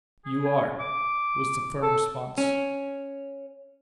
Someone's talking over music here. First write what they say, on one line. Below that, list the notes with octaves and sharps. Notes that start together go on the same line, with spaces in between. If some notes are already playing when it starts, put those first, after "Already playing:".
"You are," was the firm response.
G#4
G#5
D6
A4
C#4